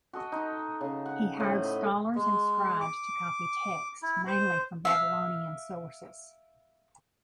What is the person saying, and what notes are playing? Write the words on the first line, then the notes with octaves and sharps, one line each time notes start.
He hired scholars and scribes to copy texts, mainly from Babylonian sources.
F#4 A4 D#5
D#4 C6
C#3
F#5
A2 C5 D#5 B5
D#5 B5
G#3
D6
E4
C5
E5 F5